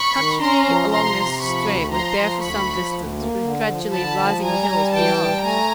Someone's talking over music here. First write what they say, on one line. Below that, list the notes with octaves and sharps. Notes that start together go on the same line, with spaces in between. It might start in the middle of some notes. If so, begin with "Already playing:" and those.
The country along this stream was bare for some distance, with gradually rising hills beyond.
Already playing: B5 C#6
D#3
C#4 A#5 C6
F3
C3 A#5 C6
C3
F3 B5 C#6
D2
F3 A#5 C6
F3
D2 B5 C#6
F3
D2
A#3
D3
F3
D3 A5 B5
F3
G3 G#5 A#5
G3
E3 G5 A5
G3
A3 G#5 A#5